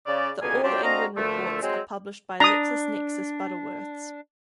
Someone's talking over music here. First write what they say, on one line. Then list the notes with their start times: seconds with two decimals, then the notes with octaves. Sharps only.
The All England reports are published by LexisNexis Butterworths.
0.07 C#3 D5
0.42 C#2 B2 D3 A#3 B3 G#5
0.63 F#3 G3 C4 D4 F4 G4
0.83 C4 D4 F#4 D#5 F5 A#5
1.17 D2 A#2 D3 F3 A3
1.62 F#3 G#3 C4
2.40 D4 A#5 D#6